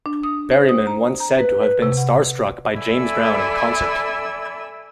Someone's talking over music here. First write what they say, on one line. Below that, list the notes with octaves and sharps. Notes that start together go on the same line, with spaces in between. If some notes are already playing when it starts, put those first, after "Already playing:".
Berryman once said to have been starstruck by James Brown in concert.
D4
D#6
C5
D#6
A#5
A#5
B4
B4
C3
F#5
A4 D5 E5 G#5 B5 E6